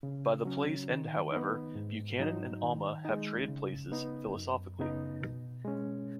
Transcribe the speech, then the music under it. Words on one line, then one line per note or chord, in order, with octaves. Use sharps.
By the play's end, however, Buchanan and Alma have traded places philosophically.
C#3
F#3 C#4
D#3
B3 D#4
G#2
F#3 D#4
D#3
G#3 D#4
C#3
B3 D#4
F#2
C#3 B3 D#4
B2
G#3 C#4